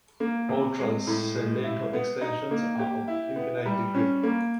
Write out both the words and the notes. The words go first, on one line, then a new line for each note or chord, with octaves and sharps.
All transcendental extensions are of infinite degree.
A#3
C3
G#3
A2
G#3
E4
B3
D#4
A#3
G4
E4
B3
G3
C#4
A#3